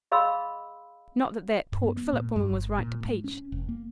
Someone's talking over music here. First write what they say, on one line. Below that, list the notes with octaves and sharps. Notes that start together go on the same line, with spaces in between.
Not that that Port Phillip woman was right to peach.
G#4 D#5 F5 B5 C6 E6
G2
B3
B3
A#2
G2
G1
A#2
G#2
C#4
F1
A#3